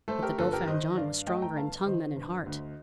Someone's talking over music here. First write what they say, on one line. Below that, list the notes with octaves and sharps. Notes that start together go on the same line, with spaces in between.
But the Dauphin John was stronger in tongue than in heart.
A3 A4 C5
G4 A#4
G1 F4 A4
G4 A#4
D#3 C5 D#5
G2 D5 F5
A3 D#5 G5
G5 A#5
G1 F5 A5
D#3 C5 D#5
G2
D2